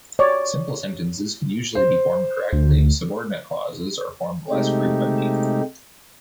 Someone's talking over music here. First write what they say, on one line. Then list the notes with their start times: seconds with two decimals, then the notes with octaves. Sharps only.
Simple sentences can usually be formed correctly, subordinate clauses are formed less frequently.
0.19 C#5 D5
1.75 C5
2.53 D2
4.50 C3 G#3 A3 D#4 G4